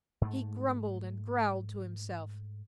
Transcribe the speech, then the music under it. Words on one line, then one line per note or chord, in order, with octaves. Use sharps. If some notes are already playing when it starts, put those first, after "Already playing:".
He grumbled and growled to himself.
G#2 A3